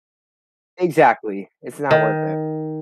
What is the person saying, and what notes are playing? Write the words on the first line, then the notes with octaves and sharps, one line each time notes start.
Exactly, it's not worth it.
D#3